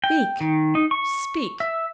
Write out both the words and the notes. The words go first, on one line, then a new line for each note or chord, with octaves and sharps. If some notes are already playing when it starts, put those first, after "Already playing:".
Speak, speak!
G5
D#3
D#4
C#6
E5